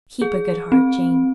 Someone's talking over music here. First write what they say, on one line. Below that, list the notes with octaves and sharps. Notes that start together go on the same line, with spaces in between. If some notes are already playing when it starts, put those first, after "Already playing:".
'Keep a good heart, Jane.
G#4
C4